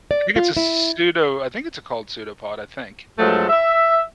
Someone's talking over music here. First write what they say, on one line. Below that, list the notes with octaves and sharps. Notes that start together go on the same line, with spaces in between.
I think it's a pseudo I think it's a called pseudopod, I think.
D5
F4
E4
G2 F3 F#3 G#3 A3 A4
E5